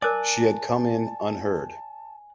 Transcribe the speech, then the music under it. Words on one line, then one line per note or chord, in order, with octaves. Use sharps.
She had come in unheard.
A#4 D5 G#5 A5 D6 F#6